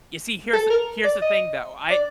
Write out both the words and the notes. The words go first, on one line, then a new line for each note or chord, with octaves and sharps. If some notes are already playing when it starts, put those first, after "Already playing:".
You see, here's the here's the thing, though. I,
A4
A#4
D5
D#5
D5